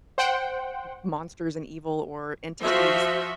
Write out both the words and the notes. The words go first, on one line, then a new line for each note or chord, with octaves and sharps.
m monsters and evil or entities,
C5 F#5 G5
F3 F#4 E5